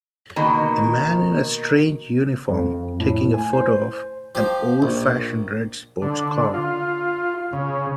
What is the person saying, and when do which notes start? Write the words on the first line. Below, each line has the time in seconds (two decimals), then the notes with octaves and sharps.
A man in a strange uniform taking a photo of an oldfashioned red sports car.
0.36 B2 D#3 A#3
2.49 F2
3.00 A2
3.34 G#5
3.53 C5
4.35 F3 G4
4.82 A#1
6.02 D3
6.54 F4
7.53 C#3